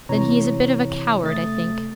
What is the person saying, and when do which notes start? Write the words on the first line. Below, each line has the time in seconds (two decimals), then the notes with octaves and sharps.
'Then he is a bit of a coward, I think.'
0.09 C3 E3 C#5 A#5
1.23 A3 D#6 A6